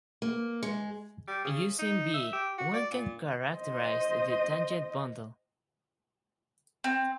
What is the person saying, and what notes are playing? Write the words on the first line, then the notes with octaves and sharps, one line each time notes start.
Using "V" one can characterize the tangent bundle.
A#3
G#3
G3
C#3
D#4
E5
G4
F#4
D5
A#2
C5 D#5
C4